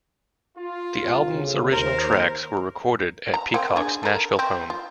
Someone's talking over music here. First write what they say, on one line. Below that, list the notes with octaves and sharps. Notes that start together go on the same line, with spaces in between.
The album's original tracks, were recorded at Peacock's Nashville home.
F4
C2
D2 C#3
D#2 A#4 C5
A#5
A#3 C4
D4 G#4
A4 A#4
C4
F4